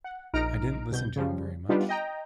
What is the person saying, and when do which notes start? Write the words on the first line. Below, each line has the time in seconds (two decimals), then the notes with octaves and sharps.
I didn’t listen to him very much.
0.04 F#5
0.33 A#1 D#4 A#5 F6 D7
0.91 C2 B2 G6
1.16 C#3 F3 G3
1.69 G3 B3 D4 D#4 F4 G4
1.89 D#5 G5 A#5